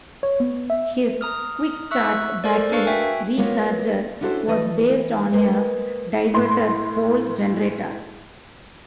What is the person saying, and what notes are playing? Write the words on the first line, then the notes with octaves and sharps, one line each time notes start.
His "quickcharge" battery recharger was based on a diverter pole generator.
C#5
B3
E5
A#5 D#6 F6
E5 C#6 E6 F#6
A4 A#4 C5 D5
D4 A#4 B4 F5 C#6
F#4 E5 G5 G#5
G#3 A#3 B3 F4 C#5
C#4 D4 E4 F#4 A4 C5
E3 D5 D#5
G#3 A#3 B4 C5
A2 C6